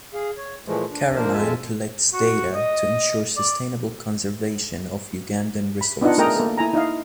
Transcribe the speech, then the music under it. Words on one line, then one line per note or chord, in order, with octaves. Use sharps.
Caroline collects data to ensure sustainable conservation of Ugandan resources.
G#4 F5
C#5
A#2 E3 F3 G#3 A3
D4
F3 A#3 D4 A#4 C5
F2 G#3 F4 E5 G#5 A5
F#4
D#5
D5
B5
B3 D4 D#4 F4 D#5 F#5
A3 G#4 A#4 D#5 G5 A#5
A#3 A4
E4 G#5 A#5
D#4 E4 D#5 F5